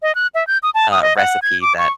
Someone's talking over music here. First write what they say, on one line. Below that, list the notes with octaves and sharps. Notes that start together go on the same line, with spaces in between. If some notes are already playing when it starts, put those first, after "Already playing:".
uh, recipe that
D#5
F#6
E5
G6
D#6
A5
D#6
D#5
F#5
G#6
D6
C#6